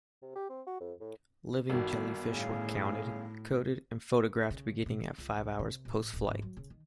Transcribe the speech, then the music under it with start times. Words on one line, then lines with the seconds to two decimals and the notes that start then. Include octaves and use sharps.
Living jellyfish were counted, coded, and photographed beginning at five hours postflight.
0.22 C3
0.36 G4
0.49 C4
0.67 F#4
0.80 F2
1.00 A2
1.70 G1 D#3 F#4 B5
2.31 A2 C#4 G#4 F5
4.50 C#3
4.86 B2
5.00 C#3
5.18 C#2
5.37 C2
5.59 C3
5.85 A1
6.13 D1
6.27 G#1
6.42 F#3
6.57 C#3
6.70 D#3